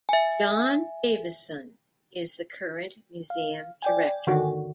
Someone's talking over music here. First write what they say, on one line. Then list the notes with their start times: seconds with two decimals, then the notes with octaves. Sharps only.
John Davison is the current museum director.
0.09 E5 G#5
3.30 F5
3.82 D5 G5 G#5
4.27 D3 D#3 F#4